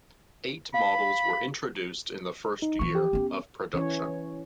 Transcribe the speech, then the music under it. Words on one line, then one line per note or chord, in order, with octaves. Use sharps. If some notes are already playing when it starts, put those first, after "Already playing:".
Eight models were introduced in the first year of production.
F5 B5
D#4
E3 F3 C#6
G4
B3 C#4
E3 C#4 C#5